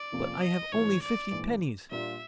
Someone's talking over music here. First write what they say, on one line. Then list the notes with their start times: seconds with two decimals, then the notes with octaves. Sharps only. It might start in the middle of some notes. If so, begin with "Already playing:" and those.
But I have only fifty pennies.
Already playing: D5
0.12 F2 C3 F3 A#3 C#4
0.42 D#5
0.72 A1 G#2 E3 G3 C#5
1.02 D5
1.31 A#1 G#2 E3
1.90 A#2 G3 A#3 D4 F4 E5